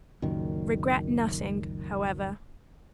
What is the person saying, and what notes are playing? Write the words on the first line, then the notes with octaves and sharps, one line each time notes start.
Regret nothing, however.
C#2 F#2 A#2 D#3